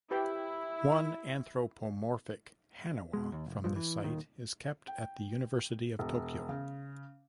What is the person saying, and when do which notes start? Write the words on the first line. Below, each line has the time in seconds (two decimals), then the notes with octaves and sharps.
One anthropomorphic "haniwa" from this site is kept at the University of Tokyo.
0.11 E4 G4 B4 G5
3.13 B2 G#3
3.32 D#2
3.46 F1
3.64 A#1 G2 F3
3.76 E3
4.03 D#1 D#2 D#3
4.88 G5
5.99 E1
6.49 C#3